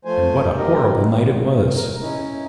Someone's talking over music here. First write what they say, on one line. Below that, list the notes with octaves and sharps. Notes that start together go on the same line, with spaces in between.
And what a horrible night it was!
F3 A3 C5 G#5
F#3 D#4 G4 A#4
E2 G#2
A#4
C#4 D#4 E4